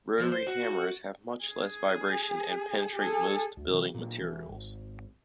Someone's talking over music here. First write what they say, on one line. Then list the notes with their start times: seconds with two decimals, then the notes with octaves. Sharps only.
Rotary hammers have much less vibration and penetrate most building materials.
0.20 F3
0.32 C5
0.47 F#4
1.44 G#4
2.96 G#4 A4
3.57 D2
3.70 C3 D#3 E3
3.95 A#2 F#3
4.19 E1 E3
4.49 G#1